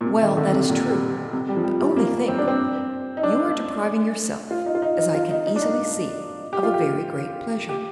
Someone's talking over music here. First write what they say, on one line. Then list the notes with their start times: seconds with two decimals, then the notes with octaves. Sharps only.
"Well, that is true; but only think! you are depriving yourself, as I can easily see, of a very great pleasure."
0.01 A#2
0.05 C3
0.22 D#3
0.37 D3
0.53 C3
0.69 A#2
0.90 G3
1.33 C3
1.49 G3
1.56 F3
1.64 G3
1.80 G3
1.96 A#3
2.28 C4
2.38 D4
2.48 C4
3.17 D#4
3.23 D4
4.51 F4
4.66 D#4
4.75 F4
4.82 D#4
4.98 D#4
5.15 F4
5.31 D#4
5.47 D#4
5.56 D4
5.62 D#4
6.53 G4
6.63 F4
6.74 G4
7.69 G4